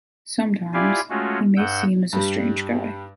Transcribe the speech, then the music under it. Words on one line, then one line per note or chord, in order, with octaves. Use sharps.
Sometimes, he may seem as strange guy.
E4 F4 G4 D5 F5 G#5
G#3 A3 C#4 F4 F#4
G2 F#5 E6 G6
G2 G3